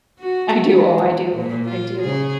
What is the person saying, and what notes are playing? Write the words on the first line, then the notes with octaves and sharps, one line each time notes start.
I do. Oh, I do, I do.
F#4
E3 G#3
E2
A#2
F4
C#3 G#4